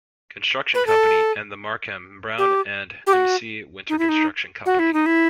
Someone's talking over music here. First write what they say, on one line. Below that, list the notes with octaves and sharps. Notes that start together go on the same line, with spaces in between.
Construction Company and the Markham, Brown and M. C. Winter Construction Company.
B4
A4
G4
G4
F#4
D#4
E4
D#4
F#4
E4
D#4
E4